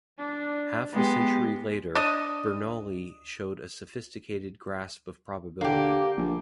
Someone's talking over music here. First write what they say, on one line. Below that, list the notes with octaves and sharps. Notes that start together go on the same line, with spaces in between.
Half a century later, Bernoulli showed a sophisticated grasp of probability.
D4
G#3 B3 G4
D4 D#5
D3 A#3 G4
A#1